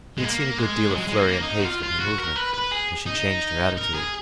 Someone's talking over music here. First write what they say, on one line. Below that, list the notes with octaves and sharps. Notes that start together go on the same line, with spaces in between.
He had seen a good deal of flurry and haste in her movement as she changed her attitude.
G#3
A#3
G#3
F#3
G#3
G#3
A#3
D#4
F#4
F4
F4
F#4
A#4
B4
B4
G#4
D#4
A#4
G#4